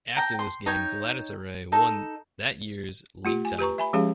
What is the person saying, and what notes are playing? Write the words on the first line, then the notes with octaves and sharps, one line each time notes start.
After this game, Galatasaray won that year's League title.
G5 A#5
C6
D#4 C#5 G5
D#4 A4
A3 F4 G4
G#5
G4 B4 A#5 C#6
E5 G#5 B5
F3 G#3 C#4 G4 G#4 F5